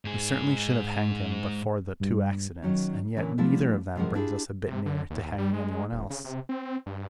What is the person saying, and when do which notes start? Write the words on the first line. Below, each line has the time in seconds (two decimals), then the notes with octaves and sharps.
"We certainly should have hanged him but for the two accidents, and yet neither of them brings us a bit nearer to hanging any one else."
0.05 G#2 G#4
2.00 G2
2.63 D#3 F#3 C#4
3.17 A#2 D3 E3 C#4
3.38 F3 G3 A3 B3 D4 E4
3.95 E2 C3 F3 G#3 A#4 F#5
4.15 D4 E4 F4 G4 G#4
4.67 C3
4.86 D3
5.10 D#2
5.38 G3
5.53 G#3
5.92 D#1
6.10 C#3
6.24 C3
6.49 C4
6.86 G2